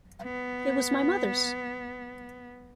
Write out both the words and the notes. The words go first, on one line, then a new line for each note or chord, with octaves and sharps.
It was my mother's.
B3